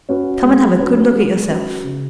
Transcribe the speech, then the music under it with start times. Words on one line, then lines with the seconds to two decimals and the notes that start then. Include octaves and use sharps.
"Come and have a good look at yourself."
0.09 C#4 F#4 B4
0.44 G#3
0.79 C#4 F#4 B4
1.14 G#3
1.49 C#4 F#4 B4
1.84 C#3